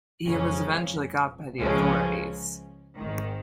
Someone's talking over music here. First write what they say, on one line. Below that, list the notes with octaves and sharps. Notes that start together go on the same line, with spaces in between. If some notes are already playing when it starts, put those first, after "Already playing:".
He was eventually caught by the authorities.
F2 C#3 F3 G#3 C#4
C#2 C#3 F3 G#3 C#4
G#1 G#2 D#3